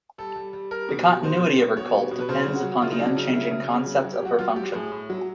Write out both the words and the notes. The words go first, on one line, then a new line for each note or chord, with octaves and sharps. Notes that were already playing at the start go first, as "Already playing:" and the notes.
The continuity of her cult depends upon the unchanging concept of her function.
G3 A4
G3
G3
G3 A#4
B2
G3
B2 C5
B2
B2
B2 C#5
G3
B2
B4
C#3 C5
F#3
F#4
F#3
E4
C#3 F4
D#4
F#3 D4
C#3 D#4
F#3 E4
C#3
C#3
F#3
F#3
G4
F#3 F#4
F#3 F4
F#3 G4
A2 G#4
A2
F#3